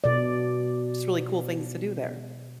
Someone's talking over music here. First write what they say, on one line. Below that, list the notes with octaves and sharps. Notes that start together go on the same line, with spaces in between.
just really cool things to do there.
B2 D5